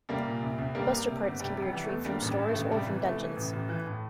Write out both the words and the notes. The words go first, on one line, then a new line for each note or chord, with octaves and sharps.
Buster Parts can be retrieved from stores or from dungeons.
C2 G3 A#3
A#2
C2
C2
G1 G3 A#3
C3
C3
G1
C3 G3
F1
G3
E3
A3
E2
D3 G3 A#3
A1 G3
G2
A3
A1
C3 G3
E3
C2 A3
E3
A1
A1
E3
A2